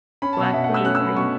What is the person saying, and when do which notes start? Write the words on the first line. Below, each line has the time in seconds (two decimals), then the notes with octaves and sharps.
Black tea, green
0.22 C#4 B5
0.33 A5
0.38 B2
0.43 F#5
0.53 B2 E5
0.64 A3 F#5
0.74 E6
0.85 C#4 F#6
0.95 E6
1.00 C#4
1.05 B5
1.16 B2 C#6